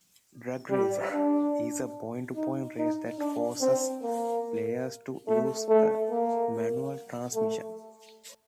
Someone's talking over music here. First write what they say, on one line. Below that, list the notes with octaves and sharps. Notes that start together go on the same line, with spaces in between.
"Drag racing" is a point-to-point race that forces players to use a manual transmission.
G3
D4
D#4
D#4
D4
C4
A#3
A3
A3
A#3
A3